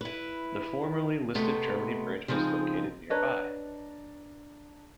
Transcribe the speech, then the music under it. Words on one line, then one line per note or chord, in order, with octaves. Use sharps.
The formerly listed Germany Bridge was located nearby.
E4 B4
C3 G#3 A3 B3
C#3 F3 G#3 C4 D#4
D4 B4 C#5 D#5 A5 A#5